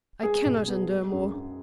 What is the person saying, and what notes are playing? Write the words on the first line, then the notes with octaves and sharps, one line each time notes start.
I cannot endure more!
G#3 G#4
B1
B3
G#3
F#2
F#2